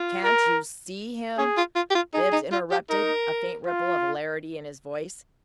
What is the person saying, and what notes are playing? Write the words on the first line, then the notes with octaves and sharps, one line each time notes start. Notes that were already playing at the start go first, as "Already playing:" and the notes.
"Can't you SEE him?" Bibbs interrupted, a faint ripple of hilarity in his voice.
Already playing: F4
A#4
C#4 G#4
F4
F4
G4
F4
D#4 G#4
D#4
F4
G4
D#4 A#4
F4